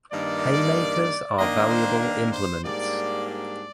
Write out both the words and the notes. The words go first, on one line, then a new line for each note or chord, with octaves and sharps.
Haymakers are valuable implements.
G2 D#3 A#3 D5
D#3 A#3 D4 D#5
C5
A#4
C5
G#2 G3 A#3 D4 D5
D5